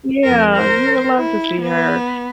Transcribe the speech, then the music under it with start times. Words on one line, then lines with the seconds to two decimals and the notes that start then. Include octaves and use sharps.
Yeah, you would love to see her,
0.24 F2 A#4
0.55 A#4 C5
1.15 E4
1.62 B3